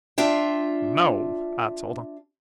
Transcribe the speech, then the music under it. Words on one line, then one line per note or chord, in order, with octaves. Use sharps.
No,' I told him.
D4 F4 E5 G5